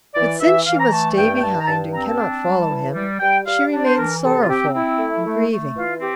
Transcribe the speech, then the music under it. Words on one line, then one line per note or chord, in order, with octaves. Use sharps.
But since she must stay behind and cannot follow him, she remains sorrowful and grieving.
E3 D5
E3 E5
E3 F5
A#5
A3 A5
G2 G5
G5
G2 A5
A#5
G2 A5
C4 A#5
A5
D4
G3
E3
G3
G3 G5
G3 F5
D4 D5
C5
E3 A#4
C3 A4
F4
C4 G4
C4 E4
A3
A3
A3
E3 F4
C4 G4